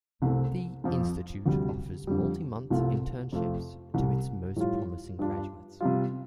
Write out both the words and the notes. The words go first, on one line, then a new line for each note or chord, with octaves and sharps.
The institute offers multi-month internships to its most promising graduates.
C2 C3 A3 C4
F2 F3 C4
D2 C3 G3
F2 D3 G3
C2 C3 A3 C4 F4
F2 C3 A3 F4
C2 C3 G3
A2 G3 F4
G2 G3 D4 F4
C3 G3 F4